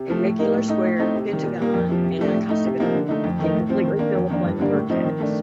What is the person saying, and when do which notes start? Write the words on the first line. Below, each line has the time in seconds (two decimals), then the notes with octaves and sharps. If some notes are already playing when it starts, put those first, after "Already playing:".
A regular square, pentagon, and icosagon can completely fill a plane vertex.
Already playing: C3
0.10 F3 A3
0.24 A2
0.39 G3 A#3 D#4
0.54 A2
0.68 A3 D#4
0.84 A2
0.99 A3 C4 D#4
1.14 C3
1.29 D#3 G3
1.44 A#2
1.59 G3 A#3
1.74 F2
1.89 C3 F3
2.04 C3
2.19 F3 A3 D4
2.34 A2
2.49 A3 D#4
2.64 C3
2.80 F3 A#3 D#4
2.95 D3
3.09 A3 D#4
3.24 F2
3.39 D#3 A3 D#4
3.54 A2
3.69 F3 C4
3.84 D#3
3.99 A#3 D4
4.15 F2
4.30 D#3 A#3 D4
4.44 G2
4.60 D3 G3 A#3 D4
4.74 A2
4.90 F3 C4 D#4
5.04 D#3
5.20 A3 D4